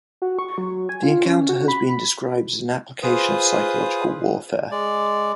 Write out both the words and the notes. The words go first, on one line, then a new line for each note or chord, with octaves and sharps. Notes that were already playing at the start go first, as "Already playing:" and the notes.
The encounter has been described as an application of psychological warfare.
F#4
C#6
F#3
G#5
F4
C#4
F#4
B5
F4 G#4 B4 C5 D#6
G#3 D5